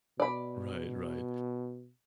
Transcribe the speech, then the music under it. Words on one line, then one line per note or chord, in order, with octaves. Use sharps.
Right, right.
B2 D5 B5